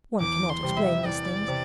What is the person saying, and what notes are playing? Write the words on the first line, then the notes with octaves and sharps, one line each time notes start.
One cannot explain these things.
E2 D6
C6
C3 G3
E5
E2 D5
C3